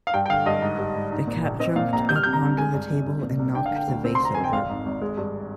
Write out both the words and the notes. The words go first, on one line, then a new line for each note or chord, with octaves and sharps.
The cat jumped up onto the table and knocked the vase over.
F5
G2 G5
G5
D3 F5
G2 D#5
G#2
G3
G#2
D#4
A#2
A#1
C4 D#5
A#2 F5
A#1 A#5
G3 G6
F6
C3 G6
A#5
C2
G#3 G#5
G2
G#1
C2
A#2
C2
D4 G5
F5
D3
G5
D2
C4
C6
C3 A#5
F2 G#5
G5
G#1 F5
G#2
G#1
G#3
G2